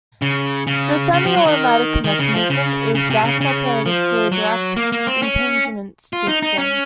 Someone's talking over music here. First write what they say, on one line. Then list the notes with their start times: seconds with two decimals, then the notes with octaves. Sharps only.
The semi-automatic mechanism is gas-operated through the direct impingement system.
0.22 C#3
0.67 C#3
1.14 C#3
1.25 F3
1.36 F#3
1.47 D#3
2.04 D#3
2.19 C#3
2.34 F3
2.50 C#3
2.95 C#3
3.10 C3
3.25 C#3
3.41 C#3
3.86 F3
4.32 F#3
4.76 A#3
4.92 A#3
5.07 C4
5.22 C#4
6.13 F4
6.28 D#4
6.43 D#4
6.58 C#4